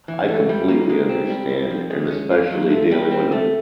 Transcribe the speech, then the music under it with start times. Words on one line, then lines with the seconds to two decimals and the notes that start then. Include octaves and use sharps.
I completely understand, and especially dealing with a
0.08 E3
0.29 A3
0.49 G3
0.69 A#3
0.90 G#3
1.09 C4
1.30 G3
1.50 C4
1.70 F3
1.90 G#3
2.10 C#4
2.31 F4
2.51 F#3
2.71 A3
2.91 G3
3.11 C4
3.32 A3